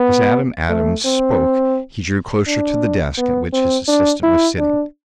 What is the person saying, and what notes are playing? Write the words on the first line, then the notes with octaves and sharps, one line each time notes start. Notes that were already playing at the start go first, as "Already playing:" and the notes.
As Adam Adams spoke he drew closer to the desk at which his assistant was sitting.
Already playing: B3
A3
C4
D4
B3
C4
D4
E4
D4